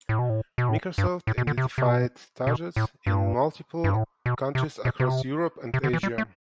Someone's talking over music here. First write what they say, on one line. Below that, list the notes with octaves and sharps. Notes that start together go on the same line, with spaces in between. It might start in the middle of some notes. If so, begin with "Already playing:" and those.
Microsoft identified targets in multiple countries across Europe and Asia.
A2
B2
A2
B2
A2
G2
A2
B2
D3
C3
C3
B2
B2
A2
G2
G2
A2
B2
C3
B2
C3
C3
D3
E3
G3
A3